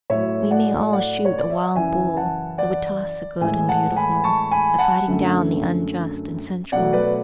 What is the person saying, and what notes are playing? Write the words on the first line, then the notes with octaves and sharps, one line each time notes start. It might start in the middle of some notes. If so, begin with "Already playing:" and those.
We may all shoot a wild bull that would toss the good and beautiful, by fighting down the unjust and sensual.
A2 F#3 A3 C#5 E5
D5 F#5
D5 F#5
C#5
D5
E5
F#5
F#2 C#3 E3 E5 G#5
F#5 A5
D5 F#5
A2 E3 G#3 E5 G#5
F#5 A5
G#5 B5
A5 C#6
G#5 B5
F#5 A5
F#2 D3 A3
B2 F#3 A3 D5 F#5
B4 D5